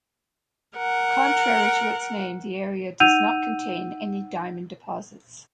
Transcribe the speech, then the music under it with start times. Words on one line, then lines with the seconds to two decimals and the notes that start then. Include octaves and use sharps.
Contrary to its name, the area does not contain any diamond deposits.
0.77 A#4 F#5
3.00 D#4 F#5 E6 G6 D#7 F7